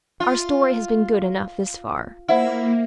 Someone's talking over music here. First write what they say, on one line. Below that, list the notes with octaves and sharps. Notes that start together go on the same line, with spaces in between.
Our story has been good enough, thus far.
F4
A#3 E4 C5 E5 F#5